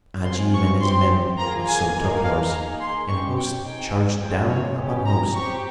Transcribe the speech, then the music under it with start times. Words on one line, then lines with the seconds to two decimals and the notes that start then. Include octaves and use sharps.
Ajib and his men also took horse and host charged down upon host.
0.25 C4 F4 G#4 C6
0.54 C#6
0.82 C4 G4 C6
1.38 A#3 F4 G#4 A#5
1.67 G#5
1.95 A#3 D#4 G#4 G#5
2.24 F5
2.51 A#3 D#4 G#4 A#5
2.80 C6
3.08 C#4 G4 C#6
3.37 G5
3.65 C4 D#4 G#4 G5
4.21 A#3 C#4 F4 G#4 G5
4.50 C#5
4.78 C#4 G4
5.06 A#5
5.34 C4 G4 C#6